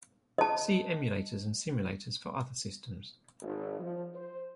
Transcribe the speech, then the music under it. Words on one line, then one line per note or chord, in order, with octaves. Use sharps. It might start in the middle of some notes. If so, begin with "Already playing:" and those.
See Emulators and Simulators for other systems.
D#5 A5
G#1
F3
C5